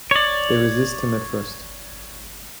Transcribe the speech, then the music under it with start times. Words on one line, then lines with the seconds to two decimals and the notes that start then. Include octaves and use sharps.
They resist him at first.
0.11 C#5 D5